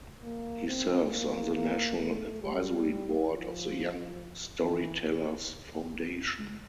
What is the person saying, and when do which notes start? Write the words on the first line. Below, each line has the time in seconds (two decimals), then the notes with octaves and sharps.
He serves on the National Advisory Board of the Young Storytellers Foundation.
0.23 A#3
0.67 C4
1.11 A#3
1.55 A#3
1.98 A3
2.42 G3
3.30 F3
4.61 E3